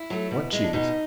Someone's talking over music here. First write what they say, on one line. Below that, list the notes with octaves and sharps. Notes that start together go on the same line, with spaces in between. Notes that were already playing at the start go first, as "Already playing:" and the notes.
"What cheese?"
Already playing: E4
F#3 A3
B2
G#3
D4
B2 D#4